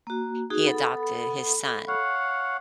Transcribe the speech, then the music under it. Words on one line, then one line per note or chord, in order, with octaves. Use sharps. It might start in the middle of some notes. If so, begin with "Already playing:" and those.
he adopted his son,
A#3 F#4
D#4 F#4 G#4
B3 A4 B5
C#5 F5 F#5